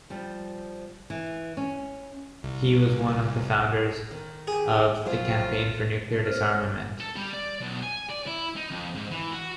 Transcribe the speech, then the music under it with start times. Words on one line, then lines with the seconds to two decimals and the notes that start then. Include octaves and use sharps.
He was one of the founders of the Campaign for Nuclear Disarmament.
0.10 F3 G3
1.10 E3
1.57 C#4
2.43 C2
4.11 D#3
4.47 G4 G#4
5.05 F3 F#3 F4 C5
6.10 A3 C4
6.25 C5 C#5 F6
7.00 A4
7.16 G3
7.33 D5
7.60 B1
7.82 G#5
8.09 D5
8.26 E4
8.56 D#4
8.70 F2
8.95 G#2
9.11 E3
9.32 F#4